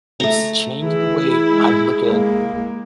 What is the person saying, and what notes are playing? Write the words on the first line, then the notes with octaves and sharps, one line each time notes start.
it's changed the way I'd look at
A3 A#5
E3 E4 G#4
G#3
G#3 A#3